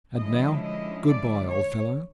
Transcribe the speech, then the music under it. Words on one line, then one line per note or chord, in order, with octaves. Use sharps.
And now, good-bye, old fellow.
D3 F3 G#3 C#4 E4 D#5
D#5
D5
C#5